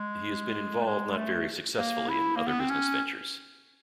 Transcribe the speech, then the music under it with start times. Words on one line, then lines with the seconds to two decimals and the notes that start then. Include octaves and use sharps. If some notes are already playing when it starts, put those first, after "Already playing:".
He has been involved not very successfully in other business ventures.
Already playing: G#3
0.81 A3
0.86 G#3
1.11 G#3
1.17 A3
1.78 A#3
2.09 E4
2.36 A#3
2.48 B3
2.59 C4
2.70 C#4